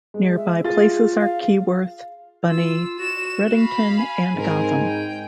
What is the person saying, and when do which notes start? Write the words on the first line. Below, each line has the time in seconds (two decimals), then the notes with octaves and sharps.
Nearby places are Keyworth, Bunny, Ruddington and Gotham.
0.14 G#3
0.36 E5
0.64 F4 G#4 A6
1.20 F5
2.47 F4 E6
2.99 F#4 E7
3.52 F5 B5
3.99 G#5
4.34 G#2 C4 A#4
4.86 G5